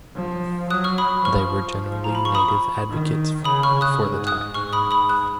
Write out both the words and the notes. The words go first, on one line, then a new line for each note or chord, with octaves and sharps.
They were generally Native advocates for the time.
F3
F#3 D#6 F#6
C#6 F6
B5 D#6
F3 C#6 F6
A#5
B5
C#6
B5 D#6
D#3
C#3 B5 D#6
C#6 F6
D#6 F#6
G#2
D#6 F#6
G#2 C#6 F6
B5 D#6
B5 D#6
D#6 F#6